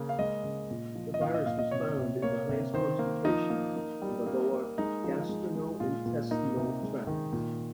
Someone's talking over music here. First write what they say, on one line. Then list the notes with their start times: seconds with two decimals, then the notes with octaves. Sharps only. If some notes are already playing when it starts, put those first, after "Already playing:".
The virus was found in the highest concentrations in the lower gastrointestinal tract.
Already playing: C#3 A#3
0.09 F5
0.19 G#3 D#5
0.44 C#3
0.71 A#2
0.95 F3
1.14 D#5
1.21 A#2 F5
1.34 D#5
1.46 A#2 F5
1.59 D#5
1.71 C3 C#5
1.98 C3
2.22 A#3 C#5
2.49 C3
2.74 D#3 C5
2.99 A#3
3.25 F3 D#4
3.50 A#3
3.76 A#3
4.02 G3
4.26 A#3
4.52 A#3
4.78 G#3 D#4
5.04 F3
5.29 G#3
5.55 G#3
5.80 A#2 F4
6.06 A#2
6.31 A#3 D#4
6.57 C3
6.83 G#3
7.07 D#3
7.33 A#2